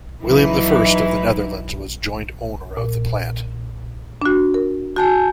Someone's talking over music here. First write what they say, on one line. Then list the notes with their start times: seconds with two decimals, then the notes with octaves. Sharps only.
William I of the Netherlands was joint owner of the plant.
0.23 E3 F#3 D#4 E4
2.77 A#2
4.22 D4 F#4
4.54 A#4
4.96 F#4 G#5 A5 G6